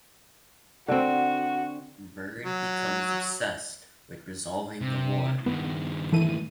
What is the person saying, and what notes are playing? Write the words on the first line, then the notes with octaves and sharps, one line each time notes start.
Bird becomes obsessed with resolving the war.
D3 C4 F#4
F#3
C3
G2 D#3 B3
E3 A3 D#7